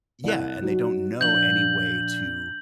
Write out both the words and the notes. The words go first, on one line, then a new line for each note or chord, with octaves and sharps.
Yeah, and they don't know any way to
C2 F#6
F#3 D#4 F#4
A#1 G6 F#7